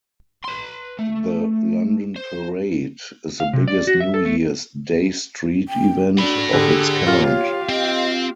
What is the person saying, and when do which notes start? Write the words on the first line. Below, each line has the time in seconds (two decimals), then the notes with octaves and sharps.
The London parade is the biggest New Year's Day street event of its kind.
0.44 B4 C6
0.99 A3
2.16 C5
3.40 F5
3.53 C3
3.68 D5
3.87 F#4
4.00 E5
4.14 A4
4.25 A3
5.68 G5
6.18 D4 F#4 A4 B5
6.53 D3 G4 G#4
7.07 F4 G4 C#5 F5 F6
7.69 C4 D#5